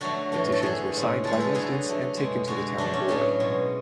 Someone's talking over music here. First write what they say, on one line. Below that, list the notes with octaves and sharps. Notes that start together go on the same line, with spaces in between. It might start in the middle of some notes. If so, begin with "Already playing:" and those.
Petitions were signed by residents and taken to the Town Board.
D3 F#3 A3 F#4
A2 E3 A3
A4
D3 A3 G#4
A2 G#3
D3 G#3 A4
B4
A4
D3 F#3 A3 G#4
D3 A3
B2 G#3
D3 G#3 F#4
D3 F#3 A3 D4
C#4
A2 F#3 A3 B3
B2 G#3